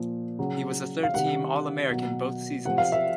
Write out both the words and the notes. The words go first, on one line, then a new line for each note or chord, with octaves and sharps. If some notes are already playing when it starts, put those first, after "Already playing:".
He was a third team All American both seasons.
Already playing: A#2 F3
C#3 F#3
F5
C3 D#3 G3 F#5
B2 F#3
C3 F3 F#5
F5
E5